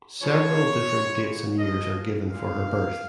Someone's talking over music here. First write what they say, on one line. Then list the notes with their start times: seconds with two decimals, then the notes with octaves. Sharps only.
Several different dates and years are given for her birth.
0.22 C#3 F3 G#3 C#5
0.90 C#3 G#3
1.58 C#3 F3 A#3 D#5
2.26 A#2 G#3 F5